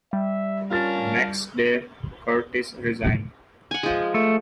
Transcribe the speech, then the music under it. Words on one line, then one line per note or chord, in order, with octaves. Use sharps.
The next day, Curtis resigned.
G3 E5
C#4 D4 F4 A#4 F5 A6
F#5 G#5
F3 G#3
A3